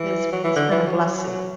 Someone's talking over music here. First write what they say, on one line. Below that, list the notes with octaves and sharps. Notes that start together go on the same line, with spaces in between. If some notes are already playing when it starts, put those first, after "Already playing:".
It's it's been a blessing.
Already playing: E3
F#3
E3
D3
E3
F#3